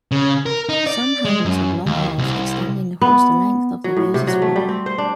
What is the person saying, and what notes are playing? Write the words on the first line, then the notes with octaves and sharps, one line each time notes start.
Some handles have long arms extending across the length of the user's forearm.
C#3
A#4
D#4
D5
G#3
F#2
D#2
C2
B3
F#3
A2
C3
F#3
A3
G3
C4
C5
D4